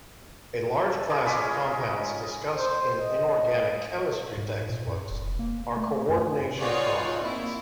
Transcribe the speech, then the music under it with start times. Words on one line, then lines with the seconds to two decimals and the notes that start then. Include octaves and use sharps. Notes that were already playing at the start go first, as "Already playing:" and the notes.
A large class of compounds discussed in inorganic chemistry textbooks are coordination compounds.
1.10 D#4 G#4 D5
1.26 G#3 C#4 F4 B5
1.72 D#5
2.56 C5
2.99 D#5
4.38 G#2
4.70 A#2
4.87 F#2
5.10 F1
5.39 A#3
5.77 A3
6.09 F#2
6.59 D#4 F4 F#4 G#4 C#5 D5
7.23 A#3 C4 E4